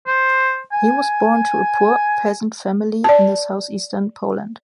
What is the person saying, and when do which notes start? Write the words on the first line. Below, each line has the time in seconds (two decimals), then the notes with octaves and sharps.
He was born to a poor peasant family in the southeastern Poland.
0.07 C5
0.72 G#5
3.04 D5 A5